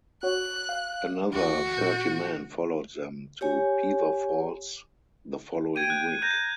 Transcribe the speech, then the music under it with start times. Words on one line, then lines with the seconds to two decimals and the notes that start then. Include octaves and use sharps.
Another thirty men followed them to Beaver Falls the following week.
0.23 F#4 C#5 F#6
0.69 F5
1.33 D2 E3 F#4
1.77 A#2 G6
3.41 G4 C#5 G#5
5.76 G5 G#6 D#7
5.90 F#6
6.22 A#5 G6